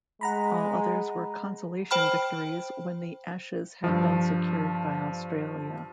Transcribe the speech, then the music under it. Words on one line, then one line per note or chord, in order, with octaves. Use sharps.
All others were consolation victories when the Ashes had been secured by Australia.
G#3 F#5 A#5 B5
C5 G5 B5 F6
G2 F3